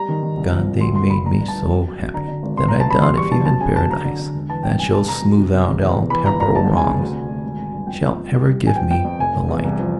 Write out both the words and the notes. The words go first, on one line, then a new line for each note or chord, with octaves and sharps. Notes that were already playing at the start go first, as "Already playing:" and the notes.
Oh God, they made me so happy that I doubt if even paradise, that shall smooth out all temporal wrongs, shall ever give me the like.
Already playing: G3 A#5
D#3
D#3
C2
F3
C2
D2 C6
E1 C6
E1 B5
G2 A#5
G2
A5
G1
F#2
F#3
F#3
D3 A#5
D3
G#1
G1 C6
G1 A#5
A5
F#2 B5
E2 C6
G3 C#6
E2 A5
F#2 A5
C#3 G#5
F#3 A5
D3 A#5
D3
D3
E1
E3 A5
E1 G5
C2 G#5
C2 A5
C2 A#5
F#3
C3
C3
C#3
E2
E2
E3 B5
G1 A#5
G2 A#5
E2 A5
E2
G#5
C#3
D2
C3
D2
G#1
G#1
G2
F2 G5
F2
F2
G3
C2
C2
G#5
F3 G5
F2 G5
F2
F1 G#5
F1
E2
C2
F3